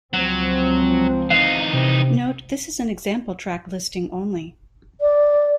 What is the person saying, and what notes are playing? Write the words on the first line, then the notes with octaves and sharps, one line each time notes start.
Note, this is an example track listing only.
C#2 F3 F#3 C4
E3 D#4 F5
C3
D5